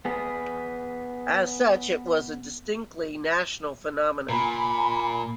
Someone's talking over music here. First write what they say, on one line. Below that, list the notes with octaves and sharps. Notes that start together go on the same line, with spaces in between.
As such it was a distinctly national phenomenon.
B3 G#4
A#2 G#5 A#5 B5